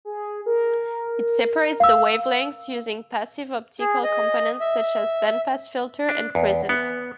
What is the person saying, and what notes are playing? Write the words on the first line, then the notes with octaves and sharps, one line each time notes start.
It separates the wavelengths using passive optical components such as bandpass filters and prisms.
G#4
A#4
F5 E6
G#4
D#5
E5
D4
E2
B3